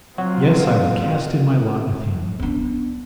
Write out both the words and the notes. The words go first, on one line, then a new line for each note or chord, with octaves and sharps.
Yes, I will cast in my lot with him.
F#3 C4 F4 F#4
B3 D4